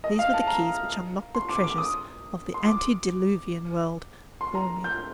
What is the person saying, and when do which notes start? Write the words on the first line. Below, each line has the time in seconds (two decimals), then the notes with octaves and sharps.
These were the keys which unlocked the treasures of the antediluvian world for me.
0.04 D#5
0.19 F5
0.33 A5
0.47 A#5
1.35 C6
1.49 D6
1.64 D6
1.78 D#6
2.54 C6
2.65 D6
4.41 C6
4.55 A#5
4.84 G6